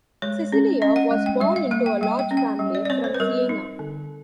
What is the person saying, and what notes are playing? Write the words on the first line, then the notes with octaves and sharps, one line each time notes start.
Cecilia was born into a large family from Siena.
G#3 C#5
C#4
C#4 D#5
F#5
G#3
G5
G3 E5
F5
A#3 F5
G5
G3 G5
G5
C#4
G5
G3
D5
D5
C4 C#5
C5
B4
G3 A#4
D#4
D3